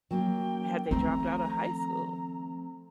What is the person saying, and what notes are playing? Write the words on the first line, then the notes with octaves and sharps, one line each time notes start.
had they dropped outta high school?
F#3 A#3 C#4 G5
D#3 F3 A3 C4 A#5